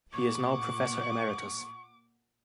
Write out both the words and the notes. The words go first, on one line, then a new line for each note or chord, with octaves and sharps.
He is now professor emeritus.
A#2 F#5 C#6 D6